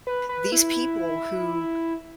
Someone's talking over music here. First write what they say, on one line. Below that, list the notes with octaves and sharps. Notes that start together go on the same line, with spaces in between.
these people who
B4
B4
E4